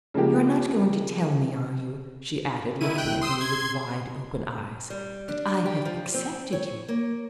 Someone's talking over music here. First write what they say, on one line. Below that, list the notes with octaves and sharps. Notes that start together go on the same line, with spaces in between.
"You are not going to tell me, are you," she added, looking at me with wide-open eyes, "that I have accepted you?"
C#3 F3 G#3 A#3 G4
D#3 E4 D#7
G5 F#6
C6 D#6 E6
C6 G#6
G3
D4
G4
F3
C4
C#5
A#3